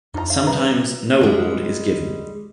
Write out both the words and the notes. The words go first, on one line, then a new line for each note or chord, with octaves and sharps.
Sometimes, no award is given.
F2 D#4 F4 A#5
D#4 F5
C3 G3 B4 E5 A#5
G3 G#3